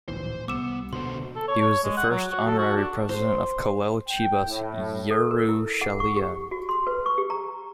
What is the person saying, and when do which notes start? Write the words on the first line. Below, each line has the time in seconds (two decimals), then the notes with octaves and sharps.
He was the first Honorary President of Kolel Chibas Yerushalayim.
0.08 D1 A#1 E3 C5
0.48 C2 B3 D6 E6 E7
0.93 B2 D3 C5 C6
1.36 A4
1.48 C#5
1.61 C#5
1.84 G#3
1.97 F#5
2.11 F#3
2.31 F#4
2.47 A4
2.58 F#4
2.77 D4
3.09 C5
4.08 G5
4.47 A2
5.11 A4
5.31 A#4
5.49 E4
5.81 F#5
6.00 C#6
6.16 G4
6.51 F#4
6.69 C6
6.87 B4
7.06 C#6
7.18 G4
7.30 A#5